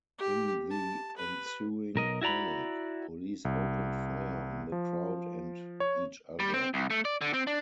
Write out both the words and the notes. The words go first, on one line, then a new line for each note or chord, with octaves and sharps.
In the ensuing panic, police opened fire on the crowd and each other.
G4
A5
B4
B1 A#4 D#5
E4 F#4 D5 A#5 B5
C2
F3
C#5
G3
C4
C2
A3
D5
D3
C4
D4